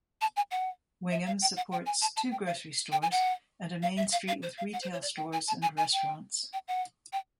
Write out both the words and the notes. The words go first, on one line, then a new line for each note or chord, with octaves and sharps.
Wingham supports two grocery stores, and a main street with retail stores and restaurants.
A5
G#5
F#5
E5
F5
G5
F#5
G5
G#5
A5
A5
G5
F5
G5
G#5
F#5
F5
E5
F5
F5
C5
F5
F#5
C5
C#5
D5
G5
G#5
A5
G#5
G#5
G5
G5
F#5
G5